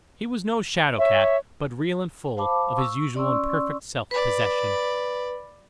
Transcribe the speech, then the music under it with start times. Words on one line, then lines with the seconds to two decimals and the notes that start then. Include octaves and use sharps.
He was no shadow-cat, but real and full of his usual and perfect self-possession.
0.98 C#5 E5
2.37 C5 F5 A5 B5 D6
2.77 C#6 E6
3.15 C#4 D5 C6 C#6 E6
4.11 B4 D5 B5